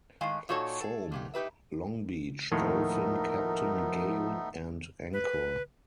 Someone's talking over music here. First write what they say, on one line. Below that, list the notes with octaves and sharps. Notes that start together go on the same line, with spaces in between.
'Foam', 'Longbeach', 'Dolphin', 'Captain', 'Gale' and 'Anchor'.
A2 D#3 G#3 F5 G#5
A#2 D#4 F#4 A4 C#5 A5
G#4 A4
G#2 A#3 G4
D#4 G4 B4 E5
D#2 A2 D#3 F3 A3 B3 D#4 A#4
B4